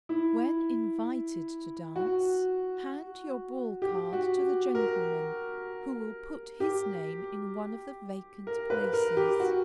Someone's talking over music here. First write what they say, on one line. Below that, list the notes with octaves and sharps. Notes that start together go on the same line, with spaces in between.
When invited to dance, hand your ball card to the gentleman, who will put his name in one of the vacant places.
E4
F#4
G4
F#4
A#4
G4
A#4
B4
A#4
G4
F#4